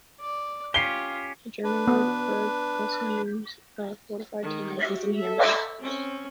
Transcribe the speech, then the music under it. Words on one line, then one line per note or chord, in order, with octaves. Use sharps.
The German word "Burg" also means "a fortified town", as in Hamburg.
D5
C#4 F4 G4 C7 G7
D4 B4
B3
D#3 G#3
F#4 G4
A4 E5
C4 C#4